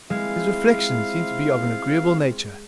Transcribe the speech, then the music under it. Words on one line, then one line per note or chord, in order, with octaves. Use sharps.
His reflections seemed to be of an agreeable nature.
G#3 C4 E4 F4 F5